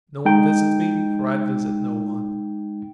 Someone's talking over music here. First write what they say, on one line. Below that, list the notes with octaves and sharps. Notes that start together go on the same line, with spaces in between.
No one visits me, for I visit no one.
G#3 D#4 G5